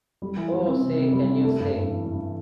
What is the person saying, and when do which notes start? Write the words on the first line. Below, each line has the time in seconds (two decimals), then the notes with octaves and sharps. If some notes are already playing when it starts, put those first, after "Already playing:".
Oh Say Can You Say?
0.22 G3
0.37 E3
0.53 G3
0.68 C4
0.83 C3
0.99 C3
1.13 G3
1.29 C3
1.44 A3
1.60 G2
1.74 G2
1.89 E3
2.05 G2
2.21 E3